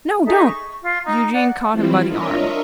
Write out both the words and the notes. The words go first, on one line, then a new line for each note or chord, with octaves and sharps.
'No, don't!' Eugene caught him by the arm.
D#4 G#4 A4 E5
C#6
F4
D#4 A#5
D5 F#5
E3 G3 C4 E4 F4
D4 F4 A#4 C#5 D#5 E5